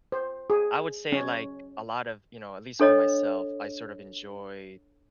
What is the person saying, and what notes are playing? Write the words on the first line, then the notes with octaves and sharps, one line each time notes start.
I would say, like, a lot of you know, at least for myself, I sort of enjoy
C5
G#4
C#4
D4 A4 C#5 D#5